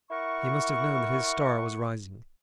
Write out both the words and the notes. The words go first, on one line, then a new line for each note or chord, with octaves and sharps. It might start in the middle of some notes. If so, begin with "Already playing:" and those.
He must have known that his star was rising.
E4 A#4 F#5 C#6